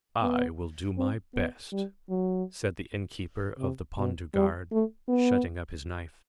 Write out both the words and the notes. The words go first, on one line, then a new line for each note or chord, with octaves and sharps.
"I will do my best," said the inn-keeper of the Pont du Gard, shutting up his knife.
B3
C4
B3
G3
F#3
C3
B2
G3
A3
B3